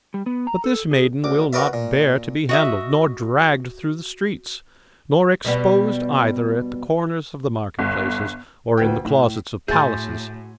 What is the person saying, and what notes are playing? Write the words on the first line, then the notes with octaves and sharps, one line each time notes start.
But this maiden will not bear to be handled, nor dragged through the streets, nor exposed either at the corners of the market-places, or in the closets of palaces.
G3
B3
A#5
A4
G#4
D2 D6
F#4 A#4 B4 D5 E5
A#2
F#4 D#5 E5
B2 G3 B3
G1
D2 A#2 B4 G5
A2
A2 F#4 G#4 E5 G#5 C6 G6 A6